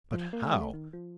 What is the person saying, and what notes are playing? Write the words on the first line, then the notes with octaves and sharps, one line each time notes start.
But how!
F3
A#3
A3
G3
A3
D#3
F3